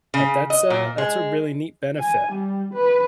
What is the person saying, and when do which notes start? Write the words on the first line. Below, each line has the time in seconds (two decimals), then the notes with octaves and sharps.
But that's a that's a really neat benefit.
0.14 C#3
0.50 D#5
0.70 A#2
0.98 G#3
1.96 G#5
2.32 G3
2.73 B4